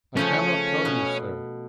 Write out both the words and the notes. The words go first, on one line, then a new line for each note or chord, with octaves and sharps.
"I cannot tell you, sir."
C#3 F3 A3 C#4
B2